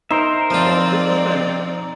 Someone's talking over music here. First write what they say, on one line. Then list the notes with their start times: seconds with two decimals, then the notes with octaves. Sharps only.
Well, this has been
0.11 D#4 A#4 C5 E5
0.50 F3 C4 F4 D5